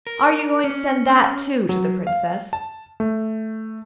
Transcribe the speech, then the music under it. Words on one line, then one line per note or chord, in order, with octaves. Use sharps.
Are you going to send that, too, to the Princess?'
A#4
C#4
F#3
F5
A5
A3